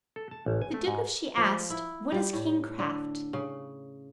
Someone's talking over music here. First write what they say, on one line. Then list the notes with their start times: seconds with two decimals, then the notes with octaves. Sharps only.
The Duke of She asked, What is kingcraft?
0.16 A4
0.31 A5
0.46 A1
0.62 G#5
0.74 A3
0.87 G#2
1.37 F3
1.70 E4
2.12 G3
2.33 A2
2.79 D3
3.33 C#3